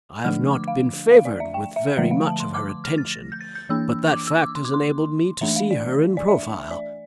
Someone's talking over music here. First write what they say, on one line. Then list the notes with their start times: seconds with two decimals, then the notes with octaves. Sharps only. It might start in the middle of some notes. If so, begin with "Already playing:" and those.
I have not been favoured with very much of her attention, but that fact has enabled me to see her in profile.
0.25 D3 F3 A3 D4 F6
0.53 D6
0.68 F5
1.11 F5
1.25 D5
1.40 E5
1.54 G5
1.76 E5
1.97 D3 F3 A3 E5
2.11 F5
2.26 A5
2.40 C6
2.54 D6
2.70 D6
2.84 F6
2.98 A6
3.13 A#6
3.32 G6
3.41 A6
3.55 G6
3.69 E3 A#3 D4 E6
4.13 D6
4.27 E6
4.42 D6
4.55 C6
4.65 D6
4.74 C6
5.41 E3 A3 D4 E5
5.56 F5
5.71 D5
6.17 D5
6.28 E5
6.71 D5